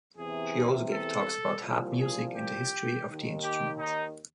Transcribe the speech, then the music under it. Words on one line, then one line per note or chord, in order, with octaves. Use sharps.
She also gave talks about harp music and the history of the instrument.
E2 C3 E3 G#4
A4
C2 A#2 F3
G#4
G4
D#2 D#3
G4
D#4